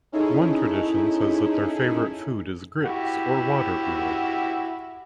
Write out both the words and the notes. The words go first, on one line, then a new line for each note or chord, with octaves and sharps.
One tradition says that their favourite food is grits or water-gruel.
C#4 D#4 E4 G#4 A4
E4 F#4 G4